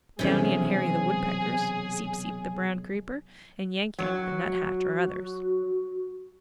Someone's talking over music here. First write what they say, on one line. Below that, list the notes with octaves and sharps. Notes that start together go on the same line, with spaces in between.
Downy and Hairy the Woodpeckers, Seep-Seep the Brown Creeper and Yank-Yank the Nuthatch are others.
B1 F#2 C3 E3 C#4 G#4
F#3 F#4